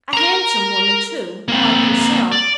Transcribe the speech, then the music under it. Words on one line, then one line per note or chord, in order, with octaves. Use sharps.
A handsome woman, too, like yourself.
A#4 A#5
A#3 C4
D5